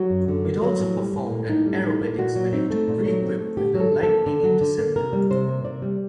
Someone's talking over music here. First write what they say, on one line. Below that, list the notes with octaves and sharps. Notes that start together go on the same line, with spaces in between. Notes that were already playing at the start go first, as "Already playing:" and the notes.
It also performed aerobatics when it re-equipped with the Lightning interceptor.
Already playing: F#3 F#4
F#2
D3
A#3
F#3
A2
G3
A2
A#3
A2 D#4
G3
D4
A2 D#4
A#3
A#2 F#4
F#3
C4 D#4
A3
A#2
F#3
C4
A3
D3 G4
F#3
A4
D3
A4
A#3
D3
F#3
D3
A#3
C3 A#4
G3
C3 C5
A#3
C3 D5
G3